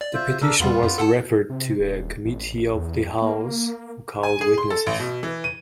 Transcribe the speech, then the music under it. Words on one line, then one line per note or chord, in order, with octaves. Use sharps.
The petition was referred to a committee of the House, who called witnesses.
D5
F4 C5 E5
C#3 D4 A4 A#4
E2 G3 B3 F4
F#2
A4 F#5 A5
C3
D#1
A1
E2
A#3
G#5
G#4
C6
A4
A1
B2
E3
D#7